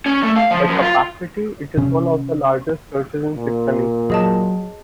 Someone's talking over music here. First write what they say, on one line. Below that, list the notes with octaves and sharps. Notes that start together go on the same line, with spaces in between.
By capacity, it is one of the largest churches in Saxony.
C#4
A3
F5
F3
F#2
F4
C3 C#4
A#2
F#3 G#4 D#5 A5